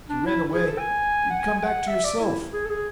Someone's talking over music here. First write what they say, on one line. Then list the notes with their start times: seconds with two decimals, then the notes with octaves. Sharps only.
If you ran away, you'd come back to yourself.
0.09 D4
0.26 E4
0.54 G#4
0.66 A4
0.79 G#5
1.30 F#5
1.40 G#5
1.56 G#5
1.64 F#5
1.88 E5
2.04 D5
2.20 E4
2.53 G#4
2.65 A4
2.69 G#4